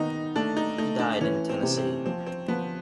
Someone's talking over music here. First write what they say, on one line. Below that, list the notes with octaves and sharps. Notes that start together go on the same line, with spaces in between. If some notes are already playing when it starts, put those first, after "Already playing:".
He died in Tennessee.
Already playing: D#3 B3 D#4
A3 D4
D#4
A3 D#4
D4
E3 C#4
C4
C3
C4
F3 C4
C4
F3 B3